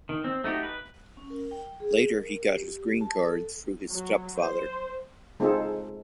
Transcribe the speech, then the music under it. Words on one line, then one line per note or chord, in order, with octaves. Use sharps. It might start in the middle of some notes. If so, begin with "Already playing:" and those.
Later he got his green card through his stepfather.
D#3
C4
A3 D#4 F#4 G4
B4
C#4
A#4
G5
G#4
A#4
G4
A5
A4
F#3
C5
G#3 C4 D#4 F4 G#4 A4